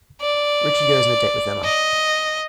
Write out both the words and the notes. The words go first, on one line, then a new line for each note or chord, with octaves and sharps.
Richie goes on a date with Emma.
D5
D#5